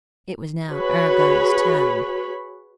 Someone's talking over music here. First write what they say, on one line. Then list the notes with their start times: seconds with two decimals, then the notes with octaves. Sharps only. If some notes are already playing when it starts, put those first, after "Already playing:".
It was now Arago's turn.
0.70 F#4 G#4 B4 C#5 B5